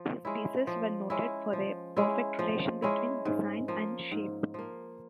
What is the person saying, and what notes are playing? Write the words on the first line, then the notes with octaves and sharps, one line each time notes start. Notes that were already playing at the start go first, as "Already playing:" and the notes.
His pieces were noted for their perfect relation between design and shape.
Already playing: F3
G#3 C#4 E4
F3
G#3 C#4 E4
F3
G#3 C#4 E4
F3
G#3 C#4 E4
G#2
F3 A#3
G#2
F3 A#3